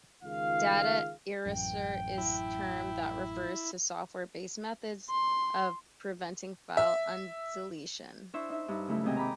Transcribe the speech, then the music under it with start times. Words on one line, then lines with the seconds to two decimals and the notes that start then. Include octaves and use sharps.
Data erasure is term that refers to software-based methods of preventing file undeletion.
0.24 C#2 D#3 F4 G#4 F5
1.46 A1 F#2 G5
2.18 E4
5.10 C6
6.77 E5
8.33 D4 E4 C5 E5 C#6 E6
8.50 D#4 E5
8.68 G2 D#4 E6
8.88 C#3 F#3 A3 E4
9.04 D#2 G#2 C3 D#5 G5 G#5
9.16 A#5 B5 D6